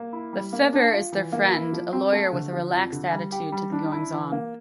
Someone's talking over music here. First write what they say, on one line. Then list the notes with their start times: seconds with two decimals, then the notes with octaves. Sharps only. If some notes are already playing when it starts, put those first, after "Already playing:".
Lafever is their friend, a lawyer with a relaxed attitude to the goings on.
Already playing: A#3
0.13 E4
0.33 G3
0.53 A#3
0.73 D4
0.93 F4
1.13 E3
1.33 A#3
1.53 E4
1.73 F3
1.93 C4
2.13 A3
2.32 D3
2.53 F3
2.72 F2
2.92 D3
3.12 G3
3.32 G4
3.52 G3
3.72 D4
3.92 E4
4.12 E3
4.32 A#3